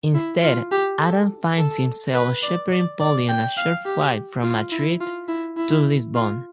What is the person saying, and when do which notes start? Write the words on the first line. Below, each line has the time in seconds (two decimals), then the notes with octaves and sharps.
Instead, Adam finds himself shepherding Polly on a short flight from Madrid to Lisbon.
0.14 E4
0.43 F4
0.72 G4
1.00 A4
1.57 A4
2.14 B4
2.43 D5
2.72 D5
3.00 D5
3.29 G5
3.57 F5
3.85 G4
4.44 F4
4.72 E4
5.01 F4
5.28 E4
5.57 E4
6.15 F4